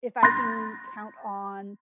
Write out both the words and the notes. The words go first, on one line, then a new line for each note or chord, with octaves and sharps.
if I can count on
B5 C6 F#6 G6 A6 A#6